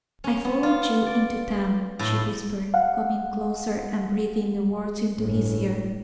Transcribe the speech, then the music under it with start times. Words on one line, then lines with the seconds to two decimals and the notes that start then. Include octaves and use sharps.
"I followed you into town," she whispered, coming closer, and breathing the words into his ear.
0.24 C#4
0.45 B3
0.63 F4
1.06 D5
1.99 A2
2.74 F5 F#5
5.18 G1 A2